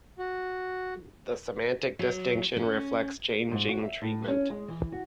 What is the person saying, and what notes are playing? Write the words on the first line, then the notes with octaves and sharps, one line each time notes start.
The semantic distinction reflects changing treatment.
F#4
F#3
C#4
G#2
F#4
E5
A2
C#4
G#3
E3
F#4